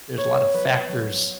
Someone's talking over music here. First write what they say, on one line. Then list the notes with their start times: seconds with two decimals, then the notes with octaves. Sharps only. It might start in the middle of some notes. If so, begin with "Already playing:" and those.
there's a lotta factors
0.18 B3 C#5
0.54 F#3 B4
0.89 F#3